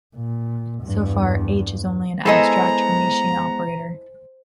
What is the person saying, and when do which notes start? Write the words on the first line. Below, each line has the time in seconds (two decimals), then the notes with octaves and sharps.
So far, H is only an abstract Hermitian operator.
0.16 A#2
0.83 E2 G2
2.26 G#3 B3 E4 A4 C5 D#5 G#5 A#5